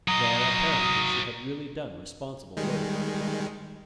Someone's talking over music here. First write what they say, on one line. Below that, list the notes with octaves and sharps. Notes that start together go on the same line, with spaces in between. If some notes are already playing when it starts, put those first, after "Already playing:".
There apparently she had really done responsible work.
F#3 D#5 A#5 D#6
D#3 G3 G#3